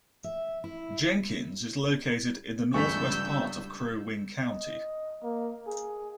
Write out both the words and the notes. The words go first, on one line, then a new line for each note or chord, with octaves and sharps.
Jenkins is located in the northwest part of Crow Wing County.
E5
E4
C#2 G2 E3 A3 C#6 E6 G6 B6
D#5
A#3
G#4